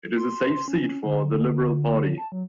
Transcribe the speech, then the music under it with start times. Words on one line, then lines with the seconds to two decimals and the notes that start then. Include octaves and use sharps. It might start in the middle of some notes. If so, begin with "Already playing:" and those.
It is a safe seat for the Liberal Party.
0.16 C6
0.68 C#4
1.05 D3
2.18 A5
2.32 F#3